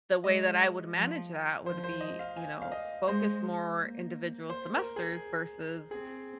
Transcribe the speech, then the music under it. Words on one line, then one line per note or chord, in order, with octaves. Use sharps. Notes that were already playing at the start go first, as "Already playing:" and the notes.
The way that I would manage that would be, you know, focus more individual semesters versus
G#3 D#5
F3
F3 C5
C5
D#5
F5
G#5
F5
D#5
G#3 C5
A#3
C5
A#4
G#4
C4 G#4